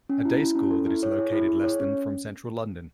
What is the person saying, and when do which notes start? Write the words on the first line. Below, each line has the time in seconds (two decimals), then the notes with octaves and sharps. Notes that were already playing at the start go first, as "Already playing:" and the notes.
A day school that is located less than from Central London.
0.09 C#4
0.25 E4
0.41 E4
0.55 C#4
0.71 A4
0.87 E4
1.03 C#5
1.18 G#4
1.32 E4
1.48 G#4
1.64 C#5
1.80 C#4